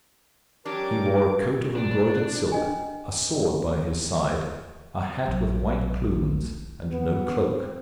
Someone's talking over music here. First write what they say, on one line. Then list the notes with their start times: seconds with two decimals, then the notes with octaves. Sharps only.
He wore a coat of embroidered silk, a sword by his side, a hat with white plumes, and no cloak.
0.65 F#3 C#4 D4 G4 A#4 D6
1.76 D4
2.52 D4 D#5 G#5
5.27 A#1 F#3
6.90 B3
7.50 C4